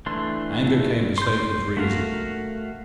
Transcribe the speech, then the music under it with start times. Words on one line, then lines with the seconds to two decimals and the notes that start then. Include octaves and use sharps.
Anger came to save his reason.
0.06 E3 A3 D4 C6
1.18 C6 G6
1.77 A3 F#4 A#4 F5